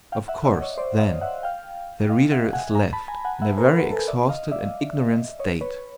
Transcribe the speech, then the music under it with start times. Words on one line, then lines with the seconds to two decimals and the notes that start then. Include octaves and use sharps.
Of course, then, the reader is left in a very exhausted and ignorant state.
0.12 F5 G5
0.28 E5 F#5
0.44 D5 E5
0.61 C#5 D#5
0.78 C5 D5
0.99 D#5 F5
1.21 E5 F#5
1.43 F5 G5
2.09 D#5 F5
2.32 E5 F#5
2.53 F#5 G#5
2.75 G#5 A#5
2.93 A5 B5
3.08 G#5 A#5
3.25 F#5 G#5
3.42 E5 F#5
3.58 A#4 C5
3.74 A4 B4
3.91 A4 B4
4.08 D5 E5
4.29 D#5 F5
4.51 D5 E5
5.39 C#5 D#5
5.61 B4 C#5